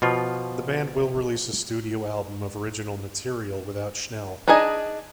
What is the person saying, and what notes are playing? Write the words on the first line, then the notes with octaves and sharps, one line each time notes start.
The band will release a studio album of original material without Schnell.
B2 F3 F4
D4 D#4 G#4 D#5 G#5